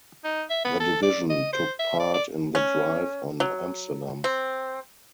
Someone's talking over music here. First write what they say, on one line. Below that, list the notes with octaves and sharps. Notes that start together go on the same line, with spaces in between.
The division took part in the drive on Amsterdam.
D#4
E5
B3
A4
D5
D#5
C5
E5
D5
D5
C#4
F#3
C4